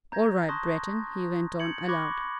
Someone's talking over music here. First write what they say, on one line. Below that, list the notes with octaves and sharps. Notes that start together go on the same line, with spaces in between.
"All right, Breton," he went on aloud.
A#5 G6 G#6 A#6
A5 C6 C#6 D#6 F#6 A#6
G6 G#6 C#7 F#7
B5 C#6 D6 F#6 G#6 A#6